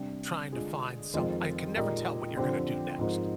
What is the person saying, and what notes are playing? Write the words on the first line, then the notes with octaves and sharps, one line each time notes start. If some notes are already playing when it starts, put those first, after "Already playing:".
trying to find some I can never tell what you're gonna do next.
Already playing: C3 G3 D4
D3 G#3 D4 F4 G#4
F2 D#3 G#3 C4 F4
A#2 G#3 D#4 G4 A#4
D3 F3 C4 G4
G#2 F3 C4 D#4 A#4